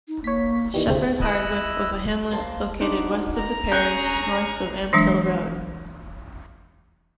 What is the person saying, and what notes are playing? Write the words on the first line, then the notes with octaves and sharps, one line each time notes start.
Shefford Hardwick was a hamlet located west of the parish, north of Ampthill Road.
D#4
A#3 C#5 B6
D#3 E3 G3
D2 C3 C4 G#4
E4 D#5 E6 F#6
A#3 C5 A5
D4 D#4 F#4 C5 D5
A#5
C#4 G#4 C#6 F#6 G6
E3 F#3 G#3 D4